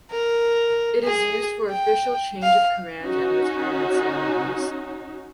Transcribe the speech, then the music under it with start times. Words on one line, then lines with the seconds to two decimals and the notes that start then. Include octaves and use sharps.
It is used for official change-of-command and retirement ceremonies.
0.11 A#4
1.04 G#4
1.69 G5
2.43 F5
3.03 C#4 D#4 F#4